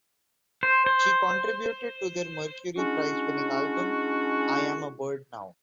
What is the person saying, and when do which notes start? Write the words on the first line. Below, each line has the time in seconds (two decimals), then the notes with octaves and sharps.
She contributed to their Mercury Prize-winning album, "I Am a Bird Now".
0.63 C5
0.86 C5
2.77 G#3 C#4 D4 E4 F#4